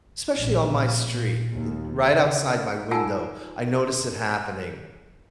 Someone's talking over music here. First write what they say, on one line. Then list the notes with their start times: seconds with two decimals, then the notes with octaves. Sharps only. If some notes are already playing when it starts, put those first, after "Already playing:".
especially on my street, and right outside my window, I notice it happening-
0.37 A#1
1.00 A#2
1.52 D#2
2.10 C#3
2.91 D#4 F4 F#5 G#5 A5 E6